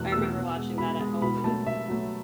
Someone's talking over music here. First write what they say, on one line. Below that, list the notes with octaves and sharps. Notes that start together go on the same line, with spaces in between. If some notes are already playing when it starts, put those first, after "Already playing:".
I remember watching that at home with,
Already playing: E2 B2 A3 F#6
B2 A3 E6
B2
G#3
B2 B5
G#3
B2 B5
F#3 A3 A5
B2 E5
F#3 A3